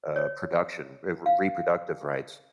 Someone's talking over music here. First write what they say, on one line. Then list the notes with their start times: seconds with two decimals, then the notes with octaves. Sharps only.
uh, production eh, re reproductive rights
0.16 C#5
1.26 F5